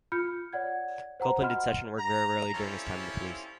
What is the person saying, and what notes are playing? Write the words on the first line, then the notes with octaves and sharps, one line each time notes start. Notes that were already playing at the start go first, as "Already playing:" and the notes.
Copeland did session work very rarely during his time in The Police.
F4 B5 F6 G6 C#7
C#5 D5 F#5 G#6
C5 F#5 A#5
F#4 D#5 F#5 B5 C6 F6
A#5
G3 C4 C#4 E4 F4 A4